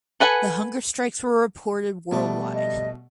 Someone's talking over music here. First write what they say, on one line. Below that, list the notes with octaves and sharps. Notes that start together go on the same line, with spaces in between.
The hunger strikes were reported worldwide.
A4 B4 F#5 G#5
A#1 B2 G3 A3 D6
D#5